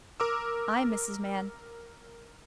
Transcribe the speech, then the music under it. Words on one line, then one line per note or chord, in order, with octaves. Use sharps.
'I, Mrs. Mann.
A#4 D6 E6